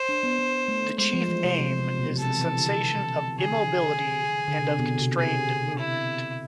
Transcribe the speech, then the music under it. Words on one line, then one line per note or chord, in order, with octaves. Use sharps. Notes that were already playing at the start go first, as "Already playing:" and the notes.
The chief aim is the sensation of immobility and of constrained movement.
Already playing: C5
D4
B3
B3
A3
G#3 C5
F3
E3
C3
C3
C3
B2
C3 A4
E3
D3
D3 G#4
D3
C3
B2
C3
G#4
E4